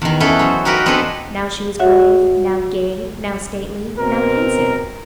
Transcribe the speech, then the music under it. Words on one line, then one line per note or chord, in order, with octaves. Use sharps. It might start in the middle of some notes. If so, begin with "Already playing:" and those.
Now she was grave, now gay, now stately, now pensive.
E2 D#3
B3 C#4 E4 A4
F#3 C5
D#4 F#4 G4 A#4 B4
B3 C4 D4 G#4 A4 B4
F#4 C#5 E5 F#5
B2 C4 A#4